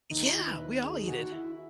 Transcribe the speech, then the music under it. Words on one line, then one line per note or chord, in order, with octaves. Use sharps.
Yeah, we all eat it
D#2 D#3 D#4
E4
B4
G#4
F#4
E4